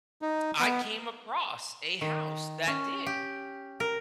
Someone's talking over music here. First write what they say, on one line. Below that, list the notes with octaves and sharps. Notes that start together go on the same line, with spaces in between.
I came across a house that did,
D#4
B3
D#3
C#4
G4
A#4